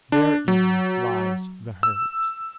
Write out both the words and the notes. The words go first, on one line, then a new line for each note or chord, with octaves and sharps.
Therein lies the hurt.
D4
F#3
E6